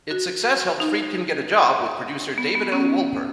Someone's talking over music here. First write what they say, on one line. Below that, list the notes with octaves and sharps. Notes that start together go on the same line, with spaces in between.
Its success helped Friedkin get a job with producer David L. Wolper.
F#4
D#4
B3
B3
C#4